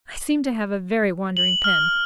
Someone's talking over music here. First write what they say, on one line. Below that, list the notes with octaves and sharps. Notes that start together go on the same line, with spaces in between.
I seem to have a very wandering pen.
F#7
F6